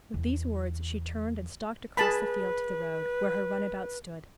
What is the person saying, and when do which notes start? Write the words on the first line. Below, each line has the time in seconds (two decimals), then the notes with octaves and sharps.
With these words she turned and stalked across the field to the road, where her runabout stood.
0.14 E2
1.97 G#4 B4 A5 B5